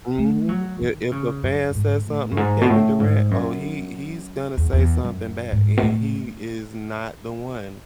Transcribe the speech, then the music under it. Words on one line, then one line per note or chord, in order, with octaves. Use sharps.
Mhm. I if a fan says something to Kevin Durant, oh, he he's gonna say something back, and he is not the one,
A3
F#3
D#3
C#3
F#2
G#2
A2
F#2
G#2
B2
A2
G#2
F#2
E2
E2
F#2
G#2
B2
A2